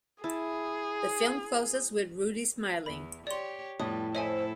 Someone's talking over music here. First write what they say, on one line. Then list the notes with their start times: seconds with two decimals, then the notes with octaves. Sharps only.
The film closes with Rudy smiling.
0.24 E4 G#4 A5
2.86 E2 B5
3.27 G4 C#5 D5 C6
3.80 F2 A2 G3 B3 D#6
4.15 E4 A4 C5 C#5 D#5 E5 G#5